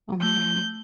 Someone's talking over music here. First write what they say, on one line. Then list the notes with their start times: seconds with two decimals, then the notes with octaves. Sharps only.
Oh, man.
0.23 A3 G6 F#7